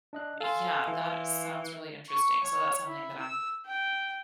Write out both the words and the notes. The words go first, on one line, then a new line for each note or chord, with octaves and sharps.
Yeah. That sounds really interesting, so that's something that I'm
D4 D#5 F#6
A4 F5 G#5 C6
E3
C#6
C#5
E4
E6
G5